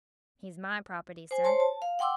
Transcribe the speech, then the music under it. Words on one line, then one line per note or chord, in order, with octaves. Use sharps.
"He's my property, sir."
C5 G#5
C5 C#5 A5 C6
A5
F5
F#5 G5 C6 D6 E6